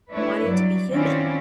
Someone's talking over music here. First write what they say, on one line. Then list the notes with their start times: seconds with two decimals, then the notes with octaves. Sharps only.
wanting to be human.
0.13 A3 D4 E4 B4 C#5
0.47 G2 F#3 D5
0.92 D#3 C4 C#4 E4 F4 D5